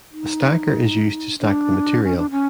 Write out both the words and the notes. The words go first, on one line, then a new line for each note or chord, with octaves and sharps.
A stacker is used to stack the material.
D#4
D4
C#4
D4
C#4